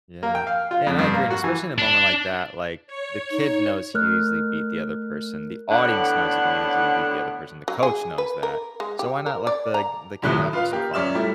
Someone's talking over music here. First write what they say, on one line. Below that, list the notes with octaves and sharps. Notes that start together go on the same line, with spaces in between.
Yeah. Yeah, and I agree, and especially in a moment like that, like, the kid knows he could easily beat the other person, the audience knows he could easily beat the other person, the coach knows that, so why not let the the kid have some fun?
A#3
G5
F5
F4
F2
G2
A#3
F#4
E3
D4
C#5
D#4
A3 A#4 F6 F#6
A2 D3 B3 D4 C#5 F#5
F#3
G#4
B4
A#4
G#3
G4
A#4
D5
A#5
A#1 D#2 A2 C3 F#3 F#6
D#6
F4 B4 F5
A#3 G4
F#2 C#4 D5 E5 F6 E7
G3 A3 E4